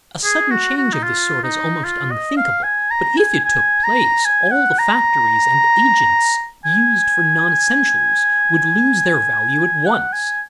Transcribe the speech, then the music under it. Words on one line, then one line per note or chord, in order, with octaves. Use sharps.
A sudden change of this sort is almost unthinkable, but if it took place, all the factories and agents used for non-essentials would lose their value at once.
G#4
F#4
F#4
D#4
F4
D#4
F4
D#5
F5
G#5
A#5
G#5
G#5
A#5
G#5
F#5
A#5
G#5
F#5
G#5